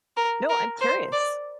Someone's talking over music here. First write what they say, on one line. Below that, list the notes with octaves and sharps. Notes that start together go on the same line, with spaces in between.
No, I'm curious.
A#4
A#4
C5
D5